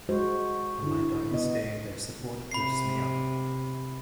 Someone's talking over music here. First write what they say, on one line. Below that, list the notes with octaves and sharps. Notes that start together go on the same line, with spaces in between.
On my darkest day their support lifts me up.
G#3 F#4 C5
D3 E4
B3 D#5
C3 B5 C7